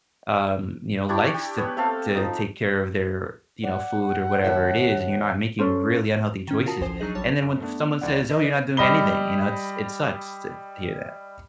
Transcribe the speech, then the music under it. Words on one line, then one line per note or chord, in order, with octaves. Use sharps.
um, you know, um, likes to to take care of their, you know, food or whatever it is, and you're not making really unhealthy choices, and then when someone says, "Oh, you're not doing anything," you know, it's it sucks to hear that.
D4 E4 G4 C#6
G4
B3 B4 C#5
A3 C4 A4 F5
F3 D#4
D5 F#5
D#2 C#3 E5
C#4 A4 C5
D#3 C#4
F4 F#4 A#4 A5 D#6
A1 D2 F3 C5 G#5 C7
F#3 D4 D#4 G#4 D#5
A1 F#3 G3 C#5 A5 A6
F#2
A3 B3 D4
C#2 E3 D5 F#5
A#4 B4 D#5
B4 D5
G3 D#5 B5 G7